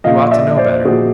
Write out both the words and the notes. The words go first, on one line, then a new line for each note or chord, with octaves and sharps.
You ought to know better.'
A#2 F3 D#5 F5
D5 E5
C5 D5
A#2 F3 F#4 G#4